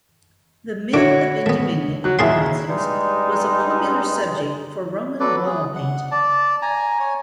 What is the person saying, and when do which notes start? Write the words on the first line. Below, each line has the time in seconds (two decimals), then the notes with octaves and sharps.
The myth of Endymion, for instance, was a popular subject for Roman wall painting.
0.94 D3 E4 F#4 C#5 D6
1.46 A3 B3
2.04 F#3 F#6
2.19 D#2 E4 F4 G#4 E5 C6
2.69 G2 G3 G#3 D#4
5.20 F#3 A4 B4 D5
5.46 G#4
5.75 F#5
6.11 D5 A5
6.62 G#5 A#5
6.99 C#5 G#5